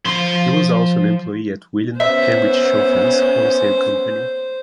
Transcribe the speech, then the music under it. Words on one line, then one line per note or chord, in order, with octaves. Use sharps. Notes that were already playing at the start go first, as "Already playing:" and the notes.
He was also an employee at William Hainrichshofen's wholesale company.
F3 C6
B3 C#4 C5 E5